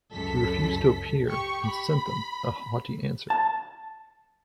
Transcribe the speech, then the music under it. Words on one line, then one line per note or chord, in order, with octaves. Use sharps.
He refused to appear, and sent them a haughty answer.
C#2 F#2 A4 B6
G4 C#6
B5
A5